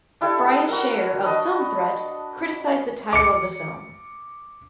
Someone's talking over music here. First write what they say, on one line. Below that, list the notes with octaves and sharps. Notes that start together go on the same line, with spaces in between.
Brian Shaer of "Film Threat" criticized the title of the film.
D4 E4 G4 A4
F#4 A#4
D4 B4 D#5 A5
D6 C#7